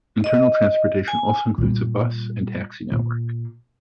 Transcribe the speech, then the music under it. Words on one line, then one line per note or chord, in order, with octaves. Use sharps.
Internal transportation also includes a bus and taxi network.
D#5
G#5
A#2 G3
A#2